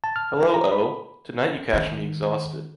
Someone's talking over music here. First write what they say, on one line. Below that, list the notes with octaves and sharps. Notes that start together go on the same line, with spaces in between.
Hello, Oh! Tonight you catch me exhausted.
A5
F6
A#5
B5
D#3